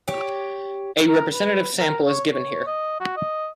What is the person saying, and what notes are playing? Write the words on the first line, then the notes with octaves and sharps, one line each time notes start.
A representative sample is given here.
G4 C#5
A#4
B4
A#4
C#5
C#5
D#5
F#4
D#5